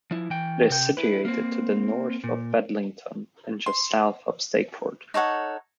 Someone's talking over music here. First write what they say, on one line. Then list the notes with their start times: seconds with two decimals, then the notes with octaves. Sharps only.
It is situated to the north of Bedlington, and just south of Stakeford.
0.11 F3 E4
0.30 E3 G5
0.70 C3 G5
0.97 E4 B4
1.25 A#3 C4
2.24 A#2
3.66 C6
5.14 D#4 A4 C#5 F#5